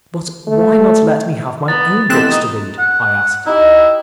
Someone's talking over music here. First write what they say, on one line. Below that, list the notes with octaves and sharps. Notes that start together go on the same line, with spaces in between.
"But why not let me have my own books to read?" I asked.
A3
B3 A#5 A6
B2 E3 A3 C4 G4 F#6 E7
D#4
F#5
D#4 E4 G4